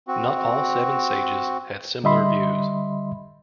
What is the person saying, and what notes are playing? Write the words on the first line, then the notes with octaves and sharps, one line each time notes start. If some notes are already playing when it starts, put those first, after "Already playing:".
Not all seven sages had similar views.
C4 F#4
D3 G3 D#5 E5 B5 C6